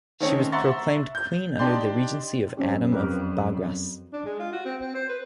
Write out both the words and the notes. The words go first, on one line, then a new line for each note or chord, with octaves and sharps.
She was proclaimed queen under the regency of Adam of Baghras.
D#3 A3 C4 C#4 C#5
E5 F#5 A#5 C6 C#6 A6
G6
D4 D#4 G4 D5 C6
F#2 C4 C#4 G4
F2 G4 A#4 B4
D4
G#3
F4
F#4
C4
C4
C5
B4